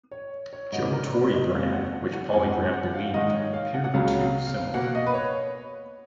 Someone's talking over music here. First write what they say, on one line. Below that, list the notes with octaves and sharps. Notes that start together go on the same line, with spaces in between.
Joe toy brand, which, PolyGram believed, appeared too similar.
C#5
C#5
G#2 F#3 B3 D#5
A#4
B4
D#5
D#2 C#3 G#3 F5
F#5
F#5
F#5
F2 F3 G#3 B3 G#5
F#5
F#5
F5
G#2 D#3 G#3 D#5
C#5
F5
F#5
F#5
C#2 C#3 F#3 F5
F5
F5
B2 A#3 F#5
D#5
B4
C#5